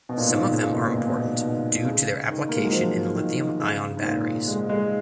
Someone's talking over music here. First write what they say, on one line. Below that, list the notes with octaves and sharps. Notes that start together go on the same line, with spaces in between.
Some of them are important due to their application in lithium ion batteries.
B2
A#2
G#2
A#2
C#3
B2
A#2
B2
A#2
B2
A#2
B2
C#3
D#3
A#3
G#3
F#3
F3
D#3
C#3
G#2
A#2
G#3
G#3